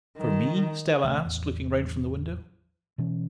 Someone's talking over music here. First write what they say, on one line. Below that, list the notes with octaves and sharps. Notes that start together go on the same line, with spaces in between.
"For me?" Stella asked, looking round from the window.
D#3
A1 D2 C3 A3
A1 E2
B2 E3 C#4